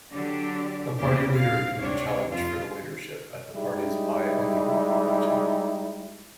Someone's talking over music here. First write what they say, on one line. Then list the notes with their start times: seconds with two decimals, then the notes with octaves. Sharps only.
The party leader can be challenged for the leadership at the party's biennial convention.
0.11 D3 F#3 D4 G4
0.99 E2 A#2 C#3 D4 E4 G4
1.29 C4 F5
1.78 D2 C3 D4 C#5
2.30 F2 F4
3.56 G3 G#3 D#4 E4